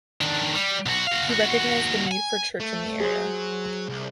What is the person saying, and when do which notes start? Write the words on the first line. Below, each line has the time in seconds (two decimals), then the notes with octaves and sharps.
He recognised the need for church in the area.
0.21 D#3 D4
0.55 G3
0.86 B1 F#4
1.07 F#4 F5
1.28 D#2 F#4
2.11 G#5
2.60 A3
3.00 F#3 G#4 C5
3.88 C2